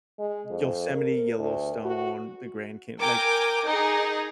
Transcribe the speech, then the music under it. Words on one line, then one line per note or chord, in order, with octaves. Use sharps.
Yosemite, Yellowstone, the Grand Can like,
G#3
F2
A#4
D2
F#4
A#4 G5 G#5 D6
D#4 G#4